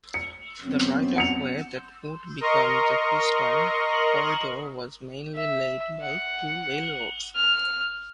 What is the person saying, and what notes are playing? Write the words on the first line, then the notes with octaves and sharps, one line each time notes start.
The right-of-way that would become the Keystone Corridor was mainly laid by two railroads.
C#7
F#2 B3 C4
F#5 C#7 F7
A#4 D#5 A#5 C6 C#6
E5
F#5
F6